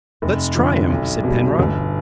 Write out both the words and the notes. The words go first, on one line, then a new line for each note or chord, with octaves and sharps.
"Let's try him," said Penrod.
F1
F2 D3 F3
B1
B2 G3
G1